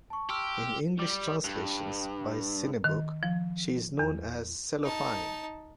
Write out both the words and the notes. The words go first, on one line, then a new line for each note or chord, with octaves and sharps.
In English translations by Cinebook, she is known as Cellophine.
A5 C#6
G4 C6 E6 F6
G3
G2
D#3
F3
E2
D#4 A5